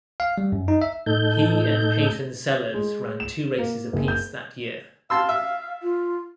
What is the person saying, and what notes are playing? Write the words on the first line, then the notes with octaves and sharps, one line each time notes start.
He and Peyton Sellers ran two races apiece that year.
F5
G3
F#2
D#4
E5
A2 D#4 A4 G6
G#3
E7
A#3
F#1
G6
F5 A5 C6 E6
E5
F4